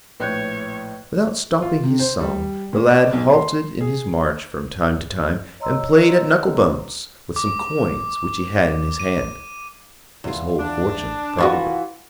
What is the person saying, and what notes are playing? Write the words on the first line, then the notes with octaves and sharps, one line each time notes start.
Without stopping his song, the lad halted in his march from time to time, and played at knuckle-bones with some coins which he had in his hand--his whole fortune, probably.
A#1 A2 B4 C#5 F#6 G6
F4
C3
C5
G3
A#2
D5
B1
C6
G#4
C#5 D#5 A#5 C6 E6
D6
D#7
E2 F4
D4
E3 F4 F#4